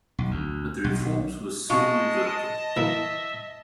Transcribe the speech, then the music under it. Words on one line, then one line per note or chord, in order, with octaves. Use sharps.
But the reforms were soon reverted.
B1
D2
B1
G#3 F4 D#5 A5 C#6
E3 A#3 E5